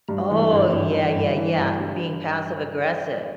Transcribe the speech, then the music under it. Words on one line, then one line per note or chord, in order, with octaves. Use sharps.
Oh, yeah, yeah, yeah, being passive aggressive.
G2
E3
G1
G1
E3
G1
E3
G1
G2